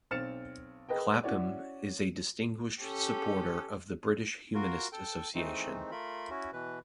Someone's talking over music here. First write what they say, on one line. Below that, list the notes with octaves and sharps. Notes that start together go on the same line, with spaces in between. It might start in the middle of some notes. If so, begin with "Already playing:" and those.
Clapham is a Distinguished Supporter of the British Humanist Association.
B1 C4 F6 A6 C#7 E7
G#4 A#4 B4 D#5 G5
C#4 E4 F#4 C#5 D5
C#4 G4 A4
F4 F#4 A#4
A4 G5
D#3 E3 G#3 A3 C4 D#4
A3 F4 A#4 B5
C#4 E4 F#4
B2 E3 B4